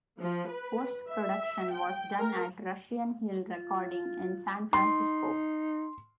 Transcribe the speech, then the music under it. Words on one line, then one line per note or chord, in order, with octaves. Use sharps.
Post-production was done at Russian Hill Recording in San Francisco.
F3
B4
E5
G5
A#4
F4
D#4 C6